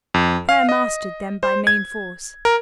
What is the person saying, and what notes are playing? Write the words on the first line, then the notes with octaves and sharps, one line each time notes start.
Prayer mastered them by main force.
F2
F5
D#5
C5
G#6
A#4